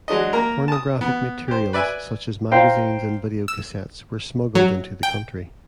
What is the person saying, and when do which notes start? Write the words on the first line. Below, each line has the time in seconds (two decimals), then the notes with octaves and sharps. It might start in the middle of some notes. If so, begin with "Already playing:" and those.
Pornographic materials such as magazines and videocassettes were smuggled into the country.
0.08 F#3 G#3 D4 D#5
0.33 A#3 A#4 A#5
0.68 A5 D#6
1.01 B3
1.48 G4 C5
1.73 B4 D5 E5 G#5
2.51 C5 F5 G5 A#5
3.48 E6
4.55 F#3
5.03 G5